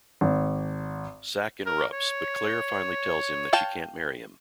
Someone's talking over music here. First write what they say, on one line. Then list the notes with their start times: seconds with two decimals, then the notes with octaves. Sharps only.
Sack interrupts, but Claire finally tells him that she can't marry him.
0.21 G#1
1.66 A#4
1.93 C#5
3.53 F5 G5 A5